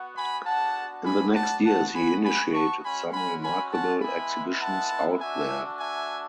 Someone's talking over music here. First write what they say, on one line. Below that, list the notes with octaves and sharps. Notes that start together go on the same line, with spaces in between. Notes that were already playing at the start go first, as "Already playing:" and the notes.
In the next years he initiated some remarkable exhibitions out there.
Already playing: B3 F#4
G#5 B5
B3 D4 F#4 F#5 A5
G#5 B5
F#5 A5
B3 F#4 F#5 A5
G#5 B5
G#5 B5
A5 C#6
G#3 C#4 F#4 G#5 B5
G#5 B5
G#5 B5
F#5 A5
G#3 B3 E4 G#5 B5
F#5 A5
A3 D4 F#4 E5 G#5
E5 G#5